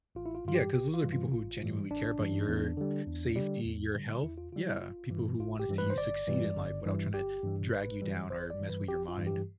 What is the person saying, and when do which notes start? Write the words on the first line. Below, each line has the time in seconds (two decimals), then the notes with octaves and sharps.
Yeah, 'cause those are people who genuinely care about your safety, your health. Yeah, people who wanna see you succeed in life without tryna drag you down or mess with your mind.
0.15 A1 F4
0.26 E4
0.34 F4
0.45 G2 E3 G3 F4
0.55 G4
0.73 A1 G4
0.94 F4
1.03 G2 E3 G3
1.12 F4
1.32 A1 F4
1.62 G2 E3 G3
1.91 A1 D4
2.19 G2 E3 G3
2.48 E2
2.77 D3 G3
3.07 E2
3.36 D3 G3
3.65 E2
3.94 D3 G3
4.23 E2 E4
4.38 F4
4.52 D3 G3 F4
4.67 E4
4.82 G1 F4
5.10 G2 E3 G3
5.39 G1 F4
5.59 G4
5.69 G2 E3 G3
5.78 B4
5.90 C5
5.98 G1 D5
6.27 G2 E3 G3
6.55 G1
6.85 G2 E3 G3
7.14 G1 G4
7.43 G2 E3 G3
7.72 G1 B4
8.02 G2 E3 G3
8.30 G1 C5
8.50 D5
8.59 G2 E3 G3
8.69 B4
8.88 G1 G4
9.08 F4
9.18 G2 E3 G3
9.27 G4